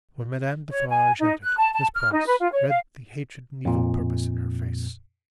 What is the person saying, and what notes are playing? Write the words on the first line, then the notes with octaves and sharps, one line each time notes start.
When Madame Defarge entered, Miss Pross read the hatred and evil purpose in her face.
C#5
G#5
D#4
F#6
A5
A5
F6
D#4
B4
F4
C#5
F5
F2 A#2